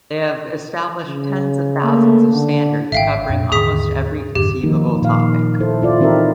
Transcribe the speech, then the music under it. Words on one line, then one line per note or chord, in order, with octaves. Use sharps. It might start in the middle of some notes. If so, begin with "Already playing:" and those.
They have established tens of thousands of standards covering almost every conceivable topic.
C#3
A3 A#3
D3
G#1 E5 F5 G5
F2 A#2 D4
D#2 G#2 D3 G#4 D#6 B6
F2 G#2 D3 G4
D#3 F3 A#3 D#4
A#2 F5
E4 A4 C5
E4 F4 D5
E3 C4 D#4 G4 A#4 E5